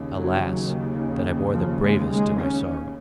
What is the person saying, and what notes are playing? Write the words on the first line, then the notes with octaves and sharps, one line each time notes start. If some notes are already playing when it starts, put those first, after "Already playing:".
Alas! that I bore the bravest to my sorrow.'
Already playing: D#2 C#3
F#3
D#3
D#3
F3
G#3
G#3
C#4